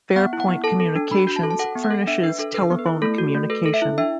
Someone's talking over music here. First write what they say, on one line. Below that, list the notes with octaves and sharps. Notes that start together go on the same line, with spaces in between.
FairPoint Communications furnishes telephone communication.
B3 F#5
E4
F#5
B3
A4 A5
A4
D4
D4 B5
F#4
A5
A4
A5
A4 F#5
B3
F#5
A4
D4 E5
D4 B4
D4 A4
A4 B4
B3
B4
E4
A3 A4
F#4
A3
A4 B4
A4
E5
E4
D4 E5